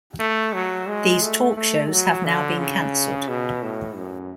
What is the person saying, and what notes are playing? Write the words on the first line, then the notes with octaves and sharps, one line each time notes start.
These talkshows have now been cancelled.
A3
F#3
G#3
A3
A3
F#3
D3
C#3
B2
A2
F#2